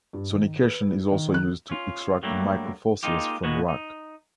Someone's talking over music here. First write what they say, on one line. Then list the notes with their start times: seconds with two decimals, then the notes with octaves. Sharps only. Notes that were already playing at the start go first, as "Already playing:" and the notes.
Sonication is also used to extract microfossils from rock.
0.13 G2
0.30 D#3
0.61 B4
1.12 D#3
1.34 F#6
1.70 C#4 F4
2.23 G2 F#3 G3 A3 A#3
3.03 G#3 A#3 D#4 F4 G4
3.44 A#2 G#3 A#3 B3 F#4
3.68 D#4